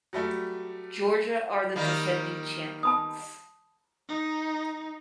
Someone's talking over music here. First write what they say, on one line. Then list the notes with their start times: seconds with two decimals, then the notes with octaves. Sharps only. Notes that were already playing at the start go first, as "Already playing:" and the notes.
Georgia are the defending champions.
0.13 F#3 G3 A3
1.76 D#3 G3 A#3
2.83 A5 B5 D#6
4.09 D#4